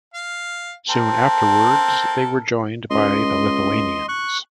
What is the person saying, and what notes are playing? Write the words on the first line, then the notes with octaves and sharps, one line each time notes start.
Soon afterwards, they were joined by the Lithuanians.
F5
C4 A4 A#4
C#2 D#5 C6
C#6 F#6